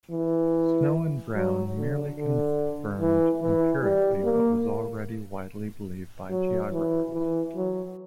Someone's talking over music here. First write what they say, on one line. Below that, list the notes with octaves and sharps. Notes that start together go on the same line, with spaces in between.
Snow and Brown merely confirmed empirically what was already widely believed by geographers.
E3
F#3
D3
D3
E3
E3
G3
A#3
F#3
E3
E3
F#3